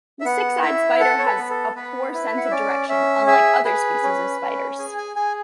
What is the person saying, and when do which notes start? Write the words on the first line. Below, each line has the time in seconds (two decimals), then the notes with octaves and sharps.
The six-eyed spider has a poor sense of direction, unlike other species of spiders.
0.20 E5
0.25 B3 F#5
0.62 E4 E5
1.00 A4 F#5
1.19 C#5
1.26 B4
1.38 B3
1.50 A4
1.75 B3 B4
2.14 E4 B4
2.37 F#5
2.44 E5
2.51 C#4 D5
2.89 C#4 E5
3.27 G#4 E5
3.65 G#4 B4
4.03 C#4
4.41 C#4
4.79 G#4 G#5
4.98 G#5
5.16 G#4 G#5